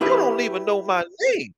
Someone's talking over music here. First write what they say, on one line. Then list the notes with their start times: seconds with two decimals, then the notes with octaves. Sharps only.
You don't even know my name."
0.01 E4 G4 B4